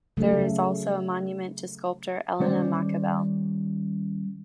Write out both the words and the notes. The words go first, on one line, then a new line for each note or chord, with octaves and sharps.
There is also a monument to sculptor Elena Machabell.
C#3 F#3 A3
D#3 G3 C#4 C5 D5